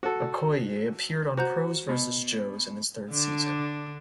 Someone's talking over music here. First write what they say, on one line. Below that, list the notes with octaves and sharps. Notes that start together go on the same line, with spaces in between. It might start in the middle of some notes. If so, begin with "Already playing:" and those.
Okoye appeared on Pros versus Joes in its third season.
F#4 A4
F#4 C5 A#5 G6
B2
D3 D4